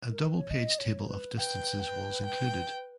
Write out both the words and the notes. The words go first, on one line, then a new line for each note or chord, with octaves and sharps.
A double page table of distances was included.
A#4
B4
C#5
D#5
C#5
B4
B4 G5
G5
G5